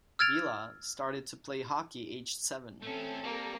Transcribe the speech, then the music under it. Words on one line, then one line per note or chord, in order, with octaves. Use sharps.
Vila started to play hockey aged seven.
E6 F6 G#6 A6 D7 F7
A3 C4 C#4 A4
G3 A#3 A#4